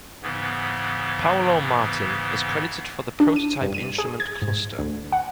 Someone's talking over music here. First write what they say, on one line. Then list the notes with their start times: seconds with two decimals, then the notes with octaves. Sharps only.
Paolo Martin is credited for the prototype instrument cluster.
0.22 G#2 C#3 E3 B3
3.20 D4
3.36 D#7
3.61 G2
3.74 D#7
3.98 G#4
4.20 G#6
4.42 G#2
4.78 D2
5.12 F#5